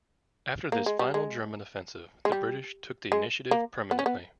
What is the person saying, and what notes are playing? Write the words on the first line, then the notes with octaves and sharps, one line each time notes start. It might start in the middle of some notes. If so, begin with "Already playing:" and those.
After this final German offensive, the British took the initiative permanently.
A#3
G#3
G3
G#3
G#3
G3
G#3
A#3
B3
C#4
B3